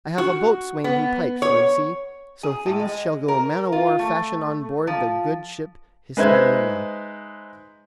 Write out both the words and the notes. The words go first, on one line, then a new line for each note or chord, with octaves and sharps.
I have a boatswain who pipes, Livesey; so things shall go man-o'-war fashion on board the good ship HISPANIOLA.
F#4
B3
C#5
G#4
A2
G#3
A#4
F4
A3
F3
G#3 D#4 B4 C5 E5 G#6